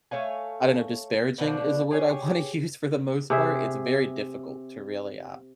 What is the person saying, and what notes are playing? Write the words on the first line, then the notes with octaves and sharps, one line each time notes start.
I don't know, disparaging is the word I wanna use for the most part, it's very difficult to really, um,
A3 C#5 F5 G#5
B2 D3 F3 D4
G4 G#4 B4 C#5
C3 G#4 E5